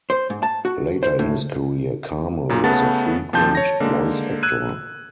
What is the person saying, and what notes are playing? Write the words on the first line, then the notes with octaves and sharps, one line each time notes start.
Later in his career, Carmel was a frequent voice actor.
C5
G#2
A5
F#4
C5
A2
F#2 A#2 A#5
C#3 A3 B3 F#5 A5 A6
A#2 F3 C4 A5 G6
C#5 A5 A#6
D3 G#3 A#3
E6 F#6 G#6 D#7